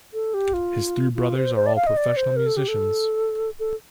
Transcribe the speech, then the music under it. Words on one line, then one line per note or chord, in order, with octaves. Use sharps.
His three brothers are all professional musicians.
A4
G4
F4
F4
C5
C5
D5
F5
D#5
D5
C5
A#4
A4
G4
A4
A4